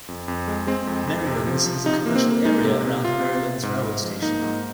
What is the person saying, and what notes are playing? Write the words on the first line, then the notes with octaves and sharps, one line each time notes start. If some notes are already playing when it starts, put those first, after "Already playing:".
Merrylands has a commercial area around Merrylands railway station.
F2
F2
G#3
G#3 C4
F2
F2
C3
F3
F3
C3 D#4
A#3
C4
A#3
G#3 D#4
C3
C3
C3 F4
C3
C3
G#2
G#2
F3
A#3 D#4
G#2